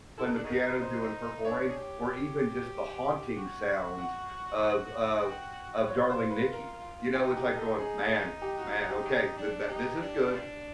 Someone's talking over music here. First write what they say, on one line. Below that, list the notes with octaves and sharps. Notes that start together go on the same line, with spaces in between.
playing the piano, doing Purple Rain, or even just the haunting sounds of of of Darling Nikki, you know? It's like going, "Man man, okay. Th that this is good.
E4 A4
D#4
D4
F#3 G#3 D#4
A#4
C5
D4 C#5
G#4
G4
F#4
F#5
G5
F4 C#5
C5
B4
A#4
D#4 G4
G4
D#4
A4
D#4 G#4
G4
F#4
F#4
G4
F#3 G#3 D#4
D4
D#4 G4
D4
F3 G3 D4